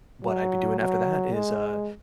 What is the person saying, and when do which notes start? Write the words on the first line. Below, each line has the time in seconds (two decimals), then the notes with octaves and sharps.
What I'd be doing after that is, uh
0.24 F#3
0.79 F#3
1.33 G#3